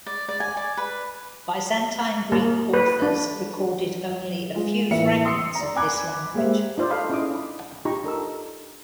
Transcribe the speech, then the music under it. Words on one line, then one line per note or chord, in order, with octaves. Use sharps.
Byzantine Greek authors recorded only a few fragments of this language.
D5
D5
G#5
D5
B4
A#3
B4
D4
G#3 F4
A1 E3 A#3 B4 E5 C#7
C6 D#6 E6 C7 C#7
D5 A#5
G#5 B5 D6 F#6 G#6
G#3 A#3 G4 C5 E5
D#4 F4 C5 D5
A4 C5 F5 B5 D#6
C#4 E4 G#4 D#5 D6 D#6
D4 B5
D#4 F4 G4 A#5 B5 C#6
D4 A4 A#4 E6